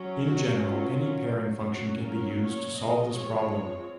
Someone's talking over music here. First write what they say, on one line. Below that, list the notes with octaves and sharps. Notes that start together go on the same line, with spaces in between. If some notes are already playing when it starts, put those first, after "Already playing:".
In general any pairing function can be used to solve this problem.
Already playing: F#3 C#4
F#4
F4
F#3 A#3 C#4
F#4
A#4
C#5
F3 G#3 C4 D#5
C#5